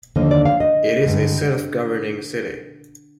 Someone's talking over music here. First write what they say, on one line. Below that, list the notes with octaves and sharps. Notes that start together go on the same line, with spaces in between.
It is a self-governing city.
D#2 D3 F3 A#3 D#5
D5
F5
D#5
G2 D3 G#3